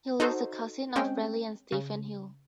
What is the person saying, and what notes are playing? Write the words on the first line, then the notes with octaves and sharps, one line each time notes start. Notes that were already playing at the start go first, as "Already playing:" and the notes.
Hill is the cousin of Bradley and Stephen Hill.
D#4 F#4 A4 C5
G#3 C4 C#4 G5
C#3